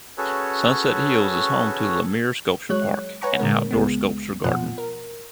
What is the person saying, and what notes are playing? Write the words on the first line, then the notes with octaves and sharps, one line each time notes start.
Sunset Hills is home to Laumeier Sculpture Park, an outdoor sculpture garden.
C#4 F#4 G#4 A4 B4 C#5
F#3 G#3 C#5 F#6
B4 C#5 F#5 G#5 A#5 C#6
A#2 D3 G#3 A#4
C#2 G#3 B3
F2 B2 F3 F#5
A#4